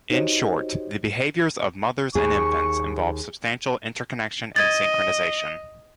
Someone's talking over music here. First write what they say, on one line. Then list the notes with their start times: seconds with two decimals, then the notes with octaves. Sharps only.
In short, the behaviors of mothers and infants involve substantial interconnection and synchronization.
0.11 D#4 F#4 G4 C5 C#5 D#5
2.15 D#2 G#4 C#6
4.56 D#5 G#6 A6